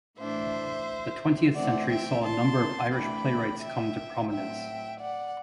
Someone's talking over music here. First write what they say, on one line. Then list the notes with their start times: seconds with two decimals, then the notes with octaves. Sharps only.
The twentieth century saw a number of Irish playwrights come to prominence.
0.18 A2 E3 A3 D4 C5 E5
1.55 E3 A3 C4 D5 F#5
1.89 E5 G5
2.24 A5 C6
2.93 E3 A3 D4 G5 B5
3.62 E5 G5
4.30 A2 F#3 C4 E5 G5
5.00 D5 F#5